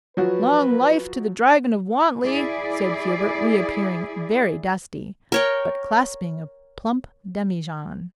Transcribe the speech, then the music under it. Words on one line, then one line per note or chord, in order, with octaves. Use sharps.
"Long life to the Dragon of Wantley!" said Hubert, reappearing, very dusty, but clasping a plump demijohn.
F3 F#3 F#4 B4
E4 G#4 D5
A#4 C#5 G5